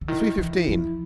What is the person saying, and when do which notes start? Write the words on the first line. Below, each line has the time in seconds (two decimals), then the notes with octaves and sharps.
'The three-fifteen.'
0.01 D3
0.08 D#3 E4
0.38 E3
0.68 F3